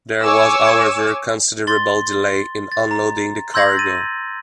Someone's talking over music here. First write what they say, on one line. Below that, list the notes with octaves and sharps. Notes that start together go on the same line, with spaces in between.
There was, however, considerable delay in unloading the cargo.
C#5 G#5 D6 E6
C6 A6 G7
A6
A#5
C6 E6 G6 G#6 A#6 F#7
A6 D#7